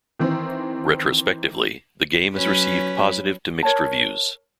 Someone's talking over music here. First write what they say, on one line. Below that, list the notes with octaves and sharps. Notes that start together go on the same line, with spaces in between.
Retrospectively, the game has received positive to mixed reviews.
D#3 E3 C4
F#3 C#4 B4
A#4 C#5 A5